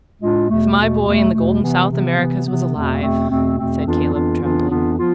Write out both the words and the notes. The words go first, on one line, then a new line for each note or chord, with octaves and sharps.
"If my boy in the Golden South Americas was alive----!" said Caleb, trembling.
A2 G#3 D4 F4
E2 B2 A3
E2 B2 A3
E2 B2 A3
E2 B2 A3
C3 E3 B3
C3 E3 B3
C3 E3 B3
C3 E3 B3
E2 B2 A3 C4
E2 B2 A3 C4
E2 B2 A3 C4
E2 B2 A3 C4
F2 E3 B3 D4 F4
F2 E3 B3 D4 F4
F2 E3 B3 D4 F4
F2 E3 B3 D4 F4
F3 B3 F4